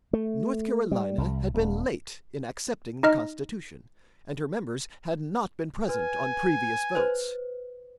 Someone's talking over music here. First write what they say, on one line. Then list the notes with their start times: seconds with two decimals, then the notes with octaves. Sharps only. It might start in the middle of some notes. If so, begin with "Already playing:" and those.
North Carolina had been late in accepting the Constitution, and her members had not been present on previous votes.
0.13 A3
0.91 G3
1.18 C2
1.54 D#1
3.03 D#4 D#5 F6
5.89 B4 G#5
6.95 B4 C5